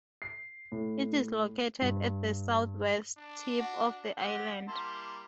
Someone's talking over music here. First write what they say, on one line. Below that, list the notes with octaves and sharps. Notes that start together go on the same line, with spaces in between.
It is located at the southwest tip of the island.
C7
A2
G2
D4
F#4
C4 F#4 G4 F#5
G3 A#3 E4 A5 C6